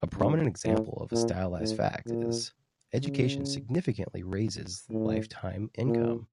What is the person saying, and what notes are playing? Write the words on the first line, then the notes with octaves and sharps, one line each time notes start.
A prominent example of a stylized fact is: Education significantly raises lifetime income.
G2
A2
A#2
A2
A#2
C#3
A2
A#2